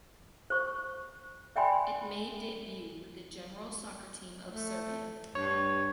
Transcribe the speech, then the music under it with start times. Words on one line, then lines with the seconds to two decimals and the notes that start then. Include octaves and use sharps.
It made debut with the general soccer team of Serbia.
0.50 C5 C#6
1.56 D5 E5 G5 G#5 B5 C6
4.51 A3
5.35 G2 C#5